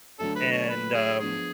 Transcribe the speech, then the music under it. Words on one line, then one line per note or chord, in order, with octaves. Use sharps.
and, um,
D3 F#3 A3 D4 A4
B4
C#5
B4
G#4
F3 B3 D4 G#4